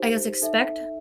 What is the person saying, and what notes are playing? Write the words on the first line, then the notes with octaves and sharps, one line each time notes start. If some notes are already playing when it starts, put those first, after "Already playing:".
I guess, expect
Already playing: D#4 G4 C5
D#4 A4 E5